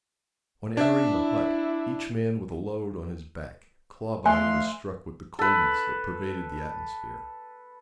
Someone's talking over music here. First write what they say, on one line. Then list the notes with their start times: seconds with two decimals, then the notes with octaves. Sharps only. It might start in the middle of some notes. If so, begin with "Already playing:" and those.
On entering the hut, each man with a load on his back, Clawbonny was struck with the coldness that pervaded the atmosphere.
0.77 D4 E5
1.13 E4
4.26 F3 A3 E5 G#5 C6 F#6
5.39 A4 B4